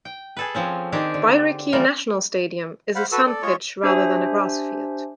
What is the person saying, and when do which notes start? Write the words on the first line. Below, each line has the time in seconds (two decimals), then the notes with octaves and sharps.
Bairiki National Stadium is a sand pitch rather than a grass field.
0.05 G5
0.37 G#4 A4 B4
0.55 F3 C4 C#4
0.92 D#3 C4 D4 G4 G#4
1.14 D3
1.73 E3 G3 A3 F4 A#4
2.95 C5 F5 F#5 B5
3.12 F#4 A4 B4 E6
3.26 A4 D5
3.42 G#3 F4 C#5 C#6
3.84 D4 G4 C5 E5 G#5